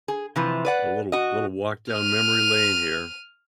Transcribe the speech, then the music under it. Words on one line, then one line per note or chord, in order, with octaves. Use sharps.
a little little walk down memory lane here.
G#4
C3 E3 F3
B4 D5 F#5
F#4 D#5
F6 D#7